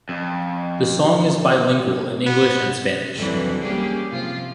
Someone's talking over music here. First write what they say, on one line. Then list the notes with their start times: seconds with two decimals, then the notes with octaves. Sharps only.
The song is bilingual in English and Spanish.
0.09 F2
2.26 B3
3.17 C2 F2 D3 E3 F#3
3.61 G3 A#3 C#4 G4 G#4
4.12 C3 F3 F4